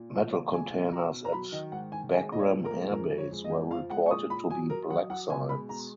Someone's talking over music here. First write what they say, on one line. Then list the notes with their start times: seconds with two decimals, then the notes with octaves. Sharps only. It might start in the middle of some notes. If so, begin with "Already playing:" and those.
Metal containers at Bagram Air Base were reported to be black sites.
Already playing: A#2
0.14 F3
0.33 A#2
0.53 G#3 G#5
0.73 B2
0.92 B2 A#5
1.12 B2
1.25 A#5
1.32 F#3 B5
1.52 D#3 D#5
1.72 G#2 F#5
1.92 D#3 G#5
2.12 G#3 G#5
2.32 A#2 D#5
2.39 C#5
2.52 A#2
2.65 A#4
2.71 G#3
2.91 F2 A#4
3.11 F2
3.18 C#5
3.31 G#3
3.44 D#5
3.51 F2
3.71 F3 F5
3.90 G#3 F#5
4.06 C#6
4.11 A#2 D#6
4.30 A#2 B5
4.50 F#3 G#5
4.70 F#3 A#4
4.90 F#3 F#5
5.10 F#3 F#5
5.29 B2 G#5
5.49 G#3 B5
5.69 B2 A#5